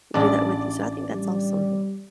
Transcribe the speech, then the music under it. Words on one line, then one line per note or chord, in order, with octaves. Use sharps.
do that with you. So I think that's awesome.
A1 D4 G#4 D5 A5 D6
G3